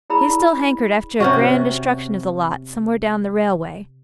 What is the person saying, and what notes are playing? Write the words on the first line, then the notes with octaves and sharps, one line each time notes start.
He still hankered after a grand destruction of the lot somewhere down the railway.
E4 G#4 D5 A#5 B5 E6
C3 C#4 F#4